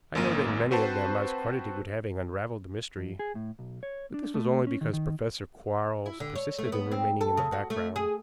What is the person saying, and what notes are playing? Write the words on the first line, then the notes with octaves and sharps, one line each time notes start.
I know that in many of them I was credited with having unraveled the mystery, but this was only because Professor Quarles persisted in remaining in the background.
G#1 F#2 A#3 D#7
C4 F#4 B4 C5 A5
F2
G#4
A2
B1
C#5
D4
A3
C#4
D#3
D#3
E4
D3
C#5
A3
B3
C4
A4
C#3
F#4
A3
G#4